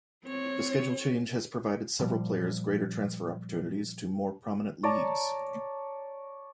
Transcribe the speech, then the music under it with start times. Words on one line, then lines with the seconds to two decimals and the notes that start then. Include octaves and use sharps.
The schedule change has provided several players greater transfer opportunities to more prominent leagues.
0.24 C4 C#5
1.99 A#2 F3 G3
4.83 C#5 D5 A5 A#5